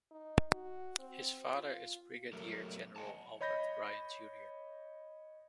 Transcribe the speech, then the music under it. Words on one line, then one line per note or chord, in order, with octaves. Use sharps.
His father is Brigadier General Albert Bryant Jr.
D#4
F#4
C4
F4
F#3 A3 G4 A#4
D#5 F#5 G#5 A5
C#5 D#5 B5 G6 A#6